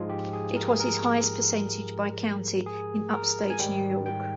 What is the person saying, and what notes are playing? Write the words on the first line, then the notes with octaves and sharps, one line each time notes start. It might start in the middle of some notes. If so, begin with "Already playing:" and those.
It was his highest percentage by county in upstate New York.
Already playing: G#2 F3 G#3 F4
G4
G#4
A#4
G#4
A#4
G#4
A#4
G#5
G#2 D#3 G3 G5
G5